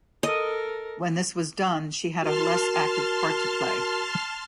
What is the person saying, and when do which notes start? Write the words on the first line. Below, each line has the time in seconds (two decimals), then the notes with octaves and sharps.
When this was done she had a less active part to play.
0.23 A4 A#4 D#5
2.22 F#4 A#4 A5 C6 F6